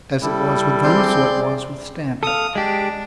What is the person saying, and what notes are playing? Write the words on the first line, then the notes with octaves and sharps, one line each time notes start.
As it was with them, so it was with Stanton.
G3 E4 A4
C4 G#4 D5 C6 G6
A4 F5 D#6
G#3 D4 G4